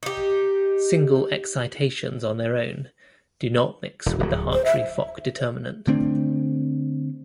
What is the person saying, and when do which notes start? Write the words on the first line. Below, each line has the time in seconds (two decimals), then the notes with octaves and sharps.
Single excitations on their own do not mix with the Hartree-Fock determinant.
0.03 D#4 G4
4.06 E1
4.20 D1 F#3
4.53 C5
4.65 E5
5.87 D3 A3 C4 D4